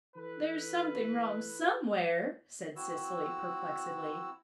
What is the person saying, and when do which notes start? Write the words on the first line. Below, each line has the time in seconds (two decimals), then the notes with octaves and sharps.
"There's something wrong somewhere," said Cecily perplexedly.
0.17 E3 A4 B4
2.76 C4 E4 F#4 E6